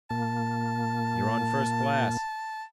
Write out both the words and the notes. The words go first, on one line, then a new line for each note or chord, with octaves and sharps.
"You're on first-class."
A#2 A#3 A5